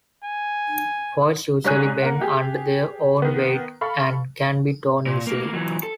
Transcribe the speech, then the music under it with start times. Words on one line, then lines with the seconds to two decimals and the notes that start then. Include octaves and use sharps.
Foils usually bend under their own weight and can be torn easily.
0.24 G#5
1.64 G#2 G3 C#5 G#5 F#6 D#7
2.02 A#3 F#5
2.21 G4 G#4
3.22 D#3 B3
3.81 A4 F5 B5 C#6
5.07 A#2
5.27 A3 A#3
5.53 E3 F#3
5.83 A4